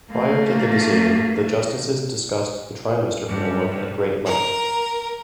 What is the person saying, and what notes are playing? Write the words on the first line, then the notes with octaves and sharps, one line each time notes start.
Prior to the decision, the justices discussed the trimester framework at great length.
A3 A#3
G2
A#4